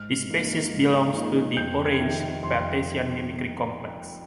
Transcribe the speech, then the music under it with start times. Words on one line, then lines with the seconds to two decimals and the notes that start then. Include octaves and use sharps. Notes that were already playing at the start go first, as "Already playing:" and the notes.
This species belongs to the "orange" Batesian mimicry complex.
Already playing: G#2 F6
0.29 F3 A#3 D#4
0.72 G#2
1.15 F3 A#3 D#4
1.57 F2 G6
1.86 G#6
2.00 C3 D#3
2.43 F2 C6